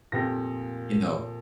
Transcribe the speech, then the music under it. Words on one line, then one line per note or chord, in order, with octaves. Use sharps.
you know,
F2 A#2 G4 A#6